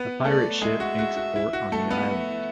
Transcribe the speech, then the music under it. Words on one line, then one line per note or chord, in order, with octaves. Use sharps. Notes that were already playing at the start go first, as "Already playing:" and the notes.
A pirate ship makes port on the island.
Already playing: B3 B4
A3 A4 D5
G#3 G#4 E5
F#4
F#4
F#4
E4
F#4
A3 A4
B3 B4
E5